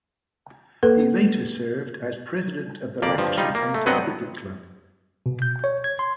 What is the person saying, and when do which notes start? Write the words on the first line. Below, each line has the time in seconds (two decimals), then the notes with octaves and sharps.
He later served as president of the Lancashire County Cricket Club.
0.83 A#3 A4 B4
3.02 F2 A#3 G4 D5
3.18 G2 F3
3.37 G3 D#4 F4
3.55 A#3
3.74 A3
3.86 G2 F#3 B3 C4 D#5 F#5
5.26 B2
5.42 G6
5.64 C#5
5.84 G#6
5.99 C6